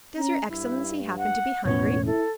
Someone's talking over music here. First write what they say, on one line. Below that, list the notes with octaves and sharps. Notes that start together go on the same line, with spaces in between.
"Does your excellency happen to be hungry?"
C#4 A#5
G2 E4
F#5
E1 A2 B3 C#4 C#5
E4 A4